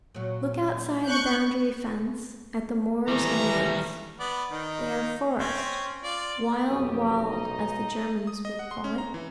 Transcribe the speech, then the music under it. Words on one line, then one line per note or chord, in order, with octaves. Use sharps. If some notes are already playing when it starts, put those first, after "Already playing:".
Look outside the boundary fence, at the moors and woods; they are forest, Wild--"Wald," as the Germans would call it.
A#2 F#3
C#6 F#6 G6
D#2 E3 G3 A3 A#5
B3 D5
D#3 D#4
C4 C#4
F4 D5
B1 F2 G4 D#6
D#4 D#5 A#5
D#6
D#5
F#5
C6
C#4
A#5
E3